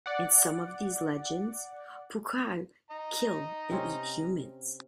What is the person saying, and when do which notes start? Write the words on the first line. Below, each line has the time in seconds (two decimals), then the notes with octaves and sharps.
In some of these legends pouakai kill and eat humans.
0.06 D5 F#5
2.91 D#5 A#5
3.71 C3 C4 C#4